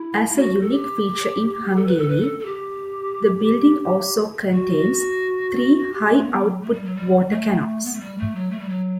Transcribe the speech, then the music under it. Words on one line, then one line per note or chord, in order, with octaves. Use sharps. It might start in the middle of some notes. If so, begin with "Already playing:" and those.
As a unique feature in Hungary, the building also contains three high-output water cannons.
Already playing: E4
E4
F#4
A4
G4
A4
B4
A4
B4
A4
A4
G4
F#4
G4
A3
B3
F#3
A3
G3
F#3
G3
A3
B3
A3
G3
A3
F#3
A3
G3
F#3